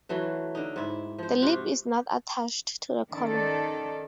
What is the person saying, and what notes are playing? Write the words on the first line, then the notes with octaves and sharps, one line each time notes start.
The lip is not attached to the column.
E3 F#3 A3
D3 D#4
G#2 E4
F3 C5
C3 F4 F#4
D#3 C#4 A4 D5